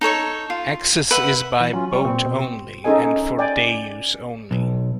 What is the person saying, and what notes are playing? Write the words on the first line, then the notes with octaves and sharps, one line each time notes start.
Access is by boat only and for day–use only.
D#4 A4 C#5 C#6
F4
B4 E5 F#5
E3
F#3 C#4 F4
G3 C#6
A#2 C4
B2
C#4 D#4 G#4 A4 D#5 G#5
D5 G5 G#5
B1